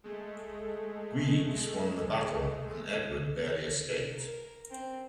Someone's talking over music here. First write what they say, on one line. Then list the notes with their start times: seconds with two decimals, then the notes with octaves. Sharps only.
Guigues won the battle and Edward barely escaped.
0.04 G#3 A3
4.19 A#4
4.71 C4